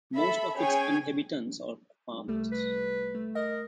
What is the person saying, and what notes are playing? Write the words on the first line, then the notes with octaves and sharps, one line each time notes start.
Most of its inhabitants are farmers.
A4 E5 B5
C#4 G#4 C#5 G5 G#5
C2 G3 A3
B4
A3
A#4 D#5